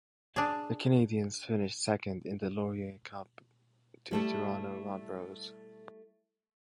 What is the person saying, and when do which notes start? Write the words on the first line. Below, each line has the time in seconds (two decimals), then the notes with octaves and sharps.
The Canadiens finished second in the Laurier Cup to the Toronto Marlboros.
0.36 D4 G#4
4.11 G3 A3 E4